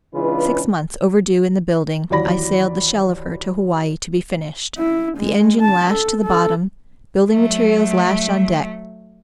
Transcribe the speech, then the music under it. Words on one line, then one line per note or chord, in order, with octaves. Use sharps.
Six months overdue in the building, I sailed the shell of her to Hawaii to be finished, the engine lashed to the bottom, building materials lashed on deck.
C#2 C#3 E3 D4 F4 B4
D#2 E3 F#3 D5 B5 A#6
E4
G#3
A5
A4
A4
F#3 A3